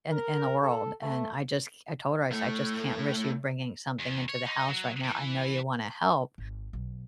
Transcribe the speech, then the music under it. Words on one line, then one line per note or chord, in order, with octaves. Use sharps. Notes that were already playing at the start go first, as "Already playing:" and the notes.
in th in the world, and I just c I told her, I said, "I just can't risk you bringing something into the house right now. I know you wanna help,
A#4
A4
A3
A2 A3
E2
C#5
D#4
F#3
E3
G#1
B1